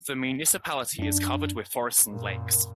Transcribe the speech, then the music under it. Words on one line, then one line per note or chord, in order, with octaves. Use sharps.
The municipality is covered with forests and lakes.
F#2 D4
F#2 A#2